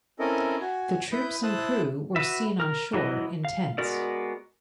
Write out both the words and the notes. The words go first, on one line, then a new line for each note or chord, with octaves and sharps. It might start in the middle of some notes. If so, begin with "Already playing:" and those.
The troops and crew were seen on shore in tents.
C4 C#4 E4 A4 A#4 D#5
F#4 G#5
E4 B4 B5 D#6 G6
E4 C5 A5 D#6 E6 F#6
F#4 B4 E5
A#4 F6
E3 F#3 E4 B4 D#5
F5
G#3 B3 F#4 A#4 D5